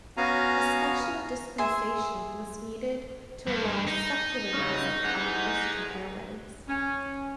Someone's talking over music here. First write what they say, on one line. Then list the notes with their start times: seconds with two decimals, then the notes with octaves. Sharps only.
A special dispensation was needed to allow "secular" music on the Christian airwaves.
0.17 B3 C#4 F#4 F5 G#5 A#5
1.58 G#4 E5 C6
3.47 G2
3.87 D#4
4.54 C#3 F#3 C#4
5.05 G#4 F#5
6.68 C#4